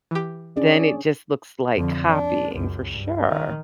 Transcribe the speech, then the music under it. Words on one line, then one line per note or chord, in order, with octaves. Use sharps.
then it just looks like copying for sure.
E3 G4
C#4 D4 G#4 D5
F2 D3
D4
C#2 F#2
G2
D#3